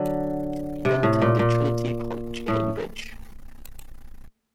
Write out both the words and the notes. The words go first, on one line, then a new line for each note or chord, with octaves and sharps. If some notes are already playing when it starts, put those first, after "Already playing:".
He then attended Trinity College, Cambridge.
Already playing: D3 F#3
C3
A2
A#2
A#2
A2